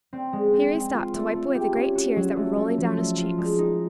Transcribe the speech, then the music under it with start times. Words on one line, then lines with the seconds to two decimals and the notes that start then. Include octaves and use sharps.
Here he stopped to wipe away the great tears that were rolling down his cheeks.
0.13 C4
0.33 G#3
0.53 C4
0.74 C4
0.94 F4
1.14 A3
1.34 A3
1.55 G4
1.76 C#4
1.95 F#4
2.16 F#3
2.36 A3
2.57 A3
2.78 F3
2.97 A3
3.18 F4
3.38 G#3
3.58 D#4